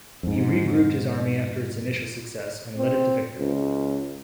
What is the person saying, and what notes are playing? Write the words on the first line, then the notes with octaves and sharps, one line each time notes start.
He regrouped his army after its initial success, and led it to victory.
F2 G#2
C4
C#2